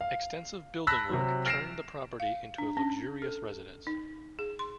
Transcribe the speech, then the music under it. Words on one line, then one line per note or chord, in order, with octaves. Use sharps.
Extensive building work turned the property into a luxurious residence.
F5
A5 B5 E6 F#6 A#6 B6
C3 F#3
F6 A#6 C7 D7 E7
F5
D4
C#4
A4
D#4
G#4
C6